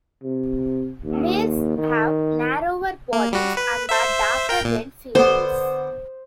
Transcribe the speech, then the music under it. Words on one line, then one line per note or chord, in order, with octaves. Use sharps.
Males have narrower bodies and are darker than females.
C3
D#2
D#3
A#3
G3 F#4
B4
C5 E5
A#4 G5
A#2
D3 B3 C5